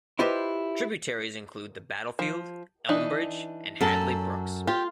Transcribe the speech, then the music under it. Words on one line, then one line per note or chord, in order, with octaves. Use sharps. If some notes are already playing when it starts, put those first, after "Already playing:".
Tributaries include the Battlefield, Elmbridge and Hadley brooks.
E4 F4 G4 B4 C5 D#5
F3
E3 D4 D#4
F#2 A4
F4 G4